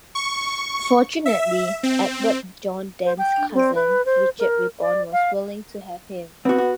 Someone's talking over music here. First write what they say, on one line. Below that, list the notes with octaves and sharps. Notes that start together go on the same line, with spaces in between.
Fortunately, Edward John Dent's cousin, Richard Rippon, was willing to have him.
C#6
E5
C4
C5
G5
C4
B4
C5
A#4
D5
F5
B3 C4 F#4
F#4